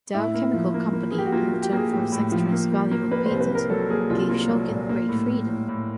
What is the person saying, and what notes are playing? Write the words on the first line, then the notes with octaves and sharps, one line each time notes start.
Dow Chemical Company, in return for Zectran's valuable patent, gave Shulgin great freedom.
A2 E4
A#3
F3
A#3
A#3
A#3 G#4
G4
F#4
A#3 F4
A#3
G4
A#3 G#4
A2 G4
A2
F3
A#3
A#3
A#3
A#3 B4
C5
C2
B4
A#3 A#4
F#3 A4
A#3 G#4
C2 F4
A#3 F4
F#3
A#2
A#3
A2
A2
A2
A2